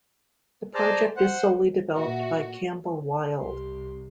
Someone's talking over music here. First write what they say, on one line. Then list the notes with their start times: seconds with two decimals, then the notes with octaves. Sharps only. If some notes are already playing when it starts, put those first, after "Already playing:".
The project is solely developed by Campbell Wild.
0.75 G#4 C5 D5 A5 A#5
1.17 C5 F#5
1.95 A#2 F#4 E5
3.38 C2 G4 C6